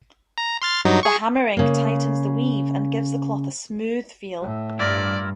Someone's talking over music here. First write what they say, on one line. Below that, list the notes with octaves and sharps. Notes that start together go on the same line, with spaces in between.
The hammering tightens the weave and give the cloth a smooth feel.
A#5
C6 F6 A6
G2 F#3 D#4
G#4 C#6
C#3 A#3
A2
G2 E4 F4 A#4 D5